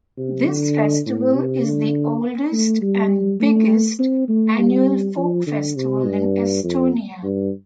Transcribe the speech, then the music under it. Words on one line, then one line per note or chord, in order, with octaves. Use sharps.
This festival is the oldest and biggest annual folk festival in Estonia.
C3
D3
A2
C3
D3
A3
G3
A3
C4
A3
G3
F3
D3
C3
G2
F2
G2